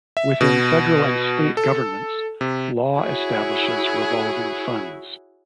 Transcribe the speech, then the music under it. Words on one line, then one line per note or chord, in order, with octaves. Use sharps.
Within federal and state governments, law establishes revolving funds.
E5
B2
A4
C3
E4 F#4 G#4 C#5